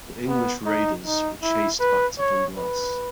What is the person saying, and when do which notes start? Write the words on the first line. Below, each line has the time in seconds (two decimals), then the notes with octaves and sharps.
The English raiders were chased back to Dunglass.
0.28 B3
0.66 D#4
1.05 D#4
1.42 E4
1.80 B4
2.19 C#5
2.57 B4